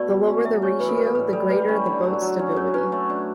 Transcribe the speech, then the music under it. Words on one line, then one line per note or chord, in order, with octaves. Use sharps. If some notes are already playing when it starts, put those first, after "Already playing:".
The lower the ratio the greater the boat's stability.
Already playing: B2 A3 D5
G3
C#4
F#3 E5
C#4 C#5
E3 B4
A4
G3 B4
A4
A2 B4
G3 A4
G3 B4
C#4
D3
F#3
F#3
C#4
F#3 C#5
C#4 B4
A3
D4